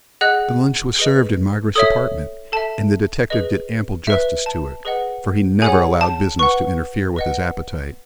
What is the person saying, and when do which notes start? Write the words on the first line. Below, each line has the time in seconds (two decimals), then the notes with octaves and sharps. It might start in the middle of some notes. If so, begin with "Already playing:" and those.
The lunch was served in Margaret's apartment, and the detective did ample Justice to it, for he never allowed business to interfere with his appetite.
0.21 G#4 D#5 F#5 F#6
0.99 G#4 B4 D#5
1.75 A4 C#5 E5 D#6
2.52 A4 E5 A5
3.30 G#4 B4 D#5
4.07 B4 E5
4.46 A5
4.85 G#4 B4 D#5 F#5
5.62 G#4 C#5 F#5 G#5
6.01 A5
6.39 B4 F#5 C#6
7.16 B4 D#5 F#5